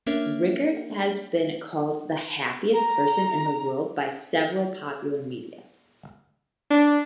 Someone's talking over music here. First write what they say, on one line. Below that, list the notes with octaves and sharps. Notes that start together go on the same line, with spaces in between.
Ricard has been called the "happiest person in the world" by several popular media.
A#3 C#4 D4 A#4 C#5 E5
A#5
D4